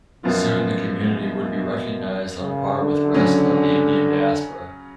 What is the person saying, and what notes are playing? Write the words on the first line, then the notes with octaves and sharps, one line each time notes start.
Soon the community would be recognized on par with rest of the Indian diaspora.
F#2 B2 F3 B3 F4
B2
C#3
D3
C#3 F#3 C#4